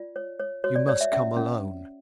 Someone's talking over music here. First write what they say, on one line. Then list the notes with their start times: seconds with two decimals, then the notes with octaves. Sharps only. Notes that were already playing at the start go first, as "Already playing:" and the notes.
You must come alone.
Already playing: F4 D5
0.16 C#5
0.39 C#5
0.64 F#4 C#5
0.76 D5
0.88 C#5 D5
1.01 E5
1.12 C#4 E5
1.36 C#4